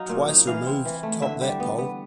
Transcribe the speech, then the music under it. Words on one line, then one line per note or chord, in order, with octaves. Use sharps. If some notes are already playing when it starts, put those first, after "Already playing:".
"Twice Removed" topped that poll.
Already playing: F#3 D#4 F5
A#2
D#4
E3 F5
C4
E3
A3
D3 E5
G3
B3
B3